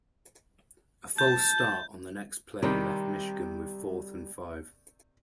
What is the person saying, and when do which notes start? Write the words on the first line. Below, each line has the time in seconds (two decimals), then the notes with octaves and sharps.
A false start on the next play left Michigan with fourth and five.
1.18 A5 G6
2.63 C3 D#3 G3